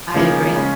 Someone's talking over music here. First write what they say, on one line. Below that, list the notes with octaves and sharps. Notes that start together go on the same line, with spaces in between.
I agree.
C#3 F3 A#3 D#4 G#4
C#3 G#3 C#4